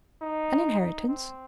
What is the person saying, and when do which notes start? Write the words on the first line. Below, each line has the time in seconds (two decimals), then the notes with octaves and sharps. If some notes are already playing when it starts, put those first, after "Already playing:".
"An inheritance?"
0.22 D#4
0.80 D#4
1.08 C4